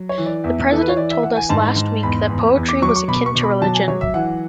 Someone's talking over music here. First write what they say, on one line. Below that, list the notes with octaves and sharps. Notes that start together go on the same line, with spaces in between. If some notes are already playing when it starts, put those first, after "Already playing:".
The President told us last week that poetry was akin to religion.
Already playing: F#3
C#5
E3
D5
E2 E5
E3 A4
B4
C#5
E3 D5
E5
E3 F#5
G#5
G#2 A5
G#2
E2 B5
E2
E2
D6
F#3 C#6
D6
C#6
B2 B5
C#6
B2
B5
F#3 A5
G#5
F#3 C#5
E5
E3 F#5